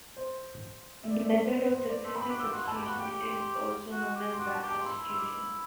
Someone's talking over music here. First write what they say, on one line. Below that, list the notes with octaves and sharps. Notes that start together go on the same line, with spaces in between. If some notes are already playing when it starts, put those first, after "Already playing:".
The method of successive substitution is also known as back substitution.
C5
E5
D5
E5
D5
C5
B4
C5
D5
A3 C6
C4 B5
F#4 D6
G4 E6
F#4 C6
E4 A5
G4
F#4 B5
G4 G5
G5
C6
C6
F#4
G4
C6
F#4 D6
A5
G4
A5
C6
E4 B5
C6
E6
D6